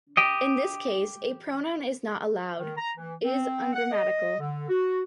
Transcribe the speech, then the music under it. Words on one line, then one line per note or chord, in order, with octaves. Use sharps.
In this case, a pronoun is not allowed: is ungrammatical.
G4 D#5
D#3
A#5
E3
C4
F#5
D#5
D3
F#4